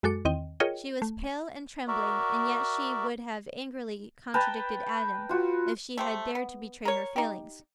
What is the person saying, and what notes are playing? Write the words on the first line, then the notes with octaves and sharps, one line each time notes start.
She was pale and trembling, and yet she would have angrily contradicted Adam, if she had dared to betray her feelings.
F#2 G#3 F#4 A4 D6 C#7
E2 D#3 C4 D#5 G5
F4 G#4 A#4 C#5 D#5 G5
A3
F#4 A#4 D5 E5
B4 G5 A5 A#5
F4 F#4
A3 G4 C5
B3
A#4 C#5
D#4 G4